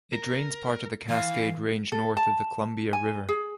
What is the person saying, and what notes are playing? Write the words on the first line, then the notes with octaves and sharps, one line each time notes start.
It drains part of the Cascade Range north of the Columbia River.
A#4
E3 F5
A4
A5
G#5
G#4